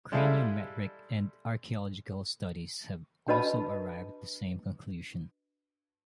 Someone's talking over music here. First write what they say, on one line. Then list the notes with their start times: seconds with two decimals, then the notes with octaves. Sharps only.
Craniometric and archaeological studies have also arrived at the same conclusion.
0.12 G3 G#3 E4 A4 F5
3.28 D4 F#4 B4 D#5 A5 B5